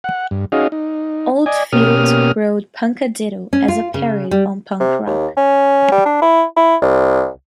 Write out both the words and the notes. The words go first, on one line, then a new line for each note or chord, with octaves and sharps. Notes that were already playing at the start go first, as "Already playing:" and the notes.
Oldfield wrote "Punkadiddle" as a parody on punk rock.
F#5
G2
C#4 D#4 F#4 G#4 D#5 F5
D#4
D5 D#5 G#5
B2 A#3 C#4 G4 D#6 F6
C#4
F4
C#3
G3
C3
D#2
C#4
G3
D4
E4
E4
C2